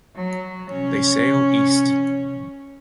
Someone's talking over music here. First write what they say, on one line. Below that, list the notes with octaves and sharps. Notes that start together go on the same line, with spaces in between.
They sail east.
F#3
C#4